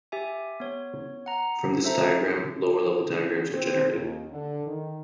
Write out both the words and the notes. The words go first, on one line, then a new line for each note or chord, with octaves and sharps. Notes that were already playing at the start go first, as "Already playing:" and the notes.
From this diagram lower-level diagrams are generated.
G4 E5 G#5
B3 C#5
F#5 A#5
A4 C5 E5 A#5
C4
D#2
D3
D#3